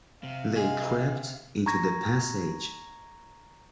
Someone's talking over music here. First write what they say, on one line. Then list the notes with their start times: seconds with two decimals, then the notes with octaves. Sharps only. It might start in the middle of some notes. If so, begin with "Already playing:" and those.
They crept into the passage.
0.24 C3 F5
0.56 G#3 D#5
1.66 A#5 C#6 G#6 A#6